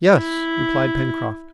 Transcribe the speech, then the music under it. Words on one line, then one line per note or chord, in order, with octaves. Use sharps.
"Yes," replied Pencroft.
E4